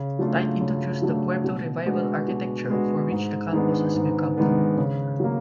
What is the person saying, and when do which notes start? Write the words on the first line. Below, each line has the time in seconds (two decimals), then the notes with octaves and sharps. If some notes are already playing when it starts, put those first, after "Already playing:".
Tight introduced the Pueblo Revival architecture for which the campus has become known.
Already playing: C#3
0.19 F#3 A3 D4 F4
0.61 C#3
1.02 F#3 A3 D4 F4
1.44 B2
1.86 G#3 B3 D4 F#4
2.28 B2
2.69 G#3 B3 D4 F#4
3.11 G#2
3.53 D#3 G#3 B3 D4
3.94 G#2
4.37 D#3 G#3 B3 D4
4.78 C#3
5.20 F#3 A#3